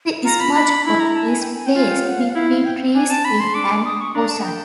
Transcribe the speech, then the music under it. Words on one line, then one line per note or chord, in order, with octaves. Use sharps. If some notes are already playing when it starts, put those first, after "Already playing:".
The smudge pot is placed between trees in an orchard.
F4 A#5
B5
D4 B5
E4 B5
A#5
A5
G#5
G5
G#5
G5
F4 G#5
G5
F#5
F5
F#5
E4 F5
F5
G5
D4 G#5
A5
B5
C6
D4 D6
D#6
C#6
D4 A#5
A5
F#5
G5